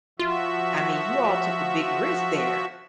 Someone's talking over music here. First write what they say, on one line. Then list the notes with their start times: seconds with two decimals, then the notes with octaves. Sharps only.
I mean, you all took a big risk there.
0.19 F3 F4 F#4 E5